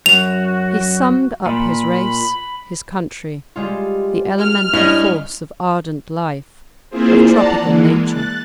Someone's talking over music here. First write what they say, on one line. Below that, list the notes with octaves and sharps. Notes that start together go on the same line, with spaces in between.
He summed up his race, his country, the elemental force of ardent life, of tropical nature.
F#2 F#4 F7
A#2 B5
G3 G#3 F4
F6
G2 C#4 E4 D#5
A#3 C4 E4 F4 G#4 C5
D5 F#5 A5 A#5
E3 G#3 A#3
F#6 A6